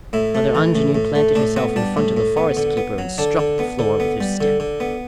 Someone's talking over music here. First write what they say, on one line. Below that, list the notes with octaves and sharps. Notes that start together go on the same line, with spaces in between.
Mother Angenoux planted herself in front of the forest-keeper and struck the floor with her stick.
A2 E4
A3
E3
A2
A2
A3
A2 D4
B3 C4
G3 D4
A2
A2
B3
D3
B3
F#3
D3 D4
D3
B3
D3
B3
G3
D3
D3
B3